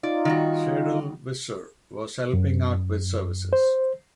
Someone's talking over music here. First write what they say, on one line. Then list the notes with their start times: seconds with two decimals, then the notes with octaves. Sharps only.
Sarel Visser was helping out with services.
0.03 D#4 F4 D5
0.25 D#3 G3 F#4
2.33 F#2
3.53 C5